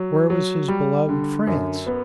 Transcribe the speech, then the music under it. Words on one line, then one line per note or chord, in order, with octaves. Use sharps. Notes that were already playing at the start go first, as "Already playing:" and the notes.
Where was his beloved France?
Already playing: F#3
F#3
G3
D3
F#2
B3